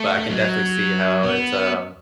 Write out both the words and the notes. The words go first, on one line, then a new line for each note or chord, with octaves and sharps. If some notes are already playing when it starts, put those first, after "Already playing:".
but I can definitely see how it's, um,
Already playing: A3
F#3
B3